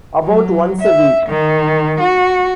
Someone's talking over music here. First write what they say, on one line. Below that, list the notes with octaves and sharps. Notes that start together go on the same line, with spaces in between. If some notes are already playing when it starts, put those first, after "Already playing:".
About once a week.
F#3
E5
D#3
F#4